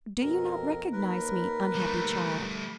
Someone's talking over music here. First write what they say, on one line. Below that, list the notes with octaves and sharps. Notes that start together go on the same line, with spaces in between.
"Do you not recognize me, unhappy child?"
F2 B2 A#4
D#2 A#4 B4
G3 A3